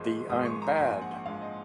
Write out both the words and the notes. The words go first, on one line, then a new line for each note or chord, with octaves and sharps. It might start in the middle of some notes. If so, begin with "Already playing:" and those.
The I'm bad!
Already playing: G#1 G#2 F3 G#3
G#1 G#2 F3 G#3 D#6
C#6
A#5
A#1 G#2 F3 G#5
F#5
A#1 G#2 F3 F5
D#5